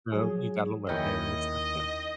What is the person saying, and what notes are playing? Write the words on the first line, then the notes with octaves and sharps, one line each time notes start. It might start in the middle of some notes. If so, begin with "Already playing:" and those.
So, you gotta learn that and accept it,
F3 F#3 G#4
D#2 D#3 C#4 E4 D#5 G6